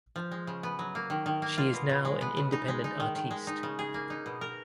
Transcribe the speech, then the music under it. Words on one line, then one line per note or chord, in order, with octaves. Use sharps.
She is now an independent artiste.
F3
G#3
C#3
B3
F#3
A#3
D#3
D#3
A#3
F4
B2
B2
G#3
B3
C#3
D#4
G#3
D#4
D#3
D#3
G#3
D#4
C#3
G#4
A#3
D#4
B2
A#4